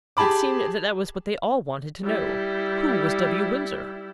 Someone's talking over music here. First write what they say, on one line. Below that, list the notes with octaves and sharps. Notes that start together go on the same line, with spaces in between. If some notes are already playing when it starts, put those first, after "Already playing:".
It seemed that that was what they all wanted to know: Who was W. Windsor?
G4 G#4 A5 B5 D6
G3 E4